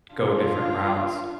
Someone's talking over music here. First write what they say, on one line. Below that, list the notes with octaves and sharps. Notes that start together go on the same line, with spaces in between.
go different routes.
D4 F4